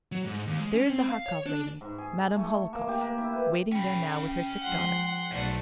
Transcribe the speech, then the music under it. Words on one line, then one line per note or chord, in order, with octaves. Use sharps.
There is a Harkov lady, Madame Hohlakov, waiting there now with her sick daughter.
F#3
G#2
D#2
G#3
C#4
C4
F5
C#5
D4
G#2
G#4
A3
A#3
G4
A#3
E4
B4
C#4 G5 B5
G5
F3 G#3 F#5 C6
B1 G#2 A3 D5